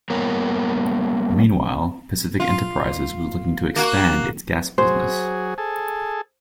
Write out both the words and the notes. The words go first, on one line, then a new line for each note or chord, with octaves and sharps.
Meanwhile, Pacific Enterprises was looking to expand its gas business.
G3 A#3 B3 A#4 C#5 A#5
F4
A#3 F#4
F#3 G#4 C5
G#4 A4